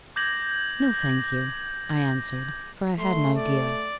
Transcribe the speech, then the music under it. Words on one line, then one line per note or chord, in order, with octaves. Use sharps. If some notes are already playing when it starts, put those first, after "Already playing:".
'No, thank you,' I answered, for I had an idea.
D6 G6 G#6 A#6 F#7
A3 C6
D5